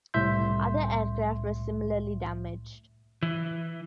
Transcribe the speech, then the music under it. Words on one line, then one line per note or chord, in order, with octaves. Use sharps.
Other aircraft were similarly damaged.
C2 A2 E5 C6 G6
E3